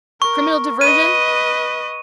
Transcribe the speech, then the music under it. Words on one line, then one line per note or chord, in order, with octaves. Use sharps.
Criminal diversion?
A#4 C#6
B4 D#5 D#7